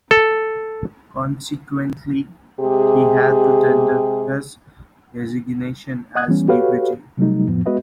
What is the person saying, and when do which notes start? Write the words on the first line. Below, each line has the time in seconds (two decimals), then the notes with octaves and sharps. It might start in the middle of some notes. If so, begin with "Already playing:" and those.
Consequently, he had to tender his resignation as deputy.
0.11 A4
2.60 C3 G#3 G4 G#4
6.15 D#5 F#5 D#6 F#6 G#6
6.28 E3 G3 B3 C#4
6.48 F#4 G4 A4 B4 C#5 F5
7.17 C3 F#3 G3 A3 D#4
7.48 F2 A2 F3 B3
7.66 G#3 B3 F#4 B4 D#5 E5